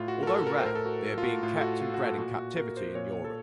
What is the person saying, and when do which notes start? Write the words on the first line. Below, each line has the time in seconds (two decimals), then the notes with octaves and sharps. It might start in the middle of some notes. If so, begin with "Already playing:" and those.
Although rare, they are being kept and bred in captivity in Europe.
Already playing: A2 F4
0.08 F#4
0.23 A#4
0.27 A4
0.47 A#4
0.60 C5
0.65 A2 A#4
0.75 A4
0.85 F#4
1.18 F4
1.23 F#4
1.43 A2 F4
1.56 A4
1.61 F#4
1.80 F4
1.94 F#4
2.07 A4
2.18 A#2 F#4
2.39 F#4
2.57 A#4
2.77 C5
2.95 A#2 C#5
3.25 A4